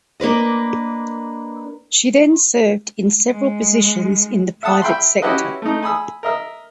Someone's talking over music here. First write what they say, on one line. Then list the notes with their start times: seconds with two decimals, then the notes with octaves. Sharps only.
She then served in several positions in the private sector.
0.20 A#3 D4 B4 D#5
3.26 G#3
4.63 E5 F#5 A5 D#6
4.82 E5 G5 B5 C6
5.22 C#4 E4 F#4 G4 B4 D#5
5.62 A3 D#4
5.83 G#5 B5 D#6 E6
6.23 A#4 D#5 E5